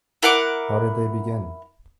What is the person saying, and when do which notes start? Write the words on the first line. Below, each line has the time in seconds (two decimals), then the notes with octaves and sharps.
How did they begin?
0.23 E4 A#4 F#5 D6